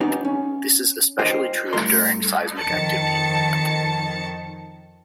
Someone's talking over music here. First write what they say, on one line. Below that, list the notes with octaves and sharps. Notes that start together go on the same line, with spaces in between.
This is especially true during seismic activity.
B3 C#4 D#4 G4
C#4
F4 G4 A#4 C5 D#5 G5
G2 A3 A#4 C6
F2 D#3 A5 A6 C#7